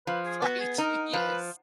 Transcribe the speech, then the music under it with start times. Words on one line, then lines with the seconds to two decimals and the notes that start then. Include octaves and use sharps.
Right, yes.
0.07 F3 B4
0.26 G#4
0.42 B3 F#4
0.60 G#4
0.78 D#4 A#4
1.13 F3 B4